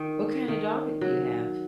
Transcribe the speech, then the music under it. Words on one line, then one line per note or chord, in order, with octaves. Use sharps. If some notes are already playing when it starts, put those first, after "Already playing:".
What kind of dog do you have?
Already playing: D#3
D#3
F#3